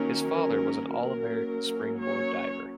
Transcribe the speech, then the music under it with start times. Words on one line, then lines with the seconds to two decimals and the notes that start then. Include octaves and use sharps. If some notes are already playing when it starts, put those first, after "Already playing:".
His father was an All-American springboard diver.
Already playing: D#3 F#3 A#3 C#4 A#4
0.36 A#4
0.91 F#3 A#3 C#4 A#4
2.00 C#5